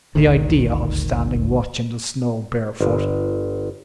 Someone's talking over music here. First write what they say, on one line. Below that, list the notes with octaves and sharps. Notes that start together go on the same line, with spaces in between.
"The idea of standing watch in the snow barefoot!"
D#1 G#1 D2 D#3
G1